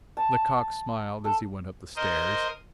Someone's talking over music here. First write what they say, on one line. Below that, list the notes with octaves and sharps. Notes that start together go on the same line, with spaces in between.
Lecoq smiled as he went up the stairs.
A5
A4
A#4 C5 D#5